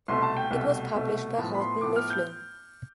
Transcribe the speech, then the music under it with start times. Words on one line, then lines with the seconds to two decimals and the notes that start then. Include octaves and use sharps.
It was published by Houghton Mifflin.
0.08 C2 B2 A3 C6
0.22 A5
0.36 G5
0.51 C2 B2 A3
0.94 C2 B2 A3
1.37 A2 F3 B3 A5
1.54 B5
1.59 C6
1.81 A2 F3 B3 D6
1.96 F6
2.10 G6